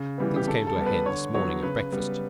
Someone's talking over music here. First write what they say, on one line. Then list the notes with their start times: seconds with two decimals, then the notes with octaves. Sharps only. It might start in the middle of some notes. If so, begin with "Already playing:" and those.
Things came to a head this morning at breakfast.
Already playing: C#3
0.18 E3 G3 B3
0.36 G4
0.47 C#3 A4
0.67 A4
0.76 G3
0.81 B3
0.86 B4
1.05 D3 C#5
1.35 F#3 B3 C#5
1.63 C#3 B4
1.92 G3 B3